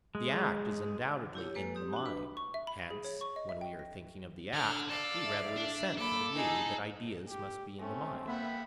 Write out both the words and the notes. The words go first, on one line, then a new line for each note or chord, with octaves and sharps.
The act is undoubtedly in the mind; hence, when we are thinking of the act, we readily assent to the view that ideas must be in the mind.
G#3
E4 G4 C#5
G#3 A#3 A4 B4
C4 G4 D#6
D4 F#4
B4 B5
C#6
E5
B5
A#6
G#4
C#5
C#6
D#5
E5
G5
A#6
D3 F6
A4 D5 F5
E5
D4
A#3 A4 B5 D6
D#4 E4 G#4
G4
A3 C4 C#4
A#3 E5 F#5 G5 B5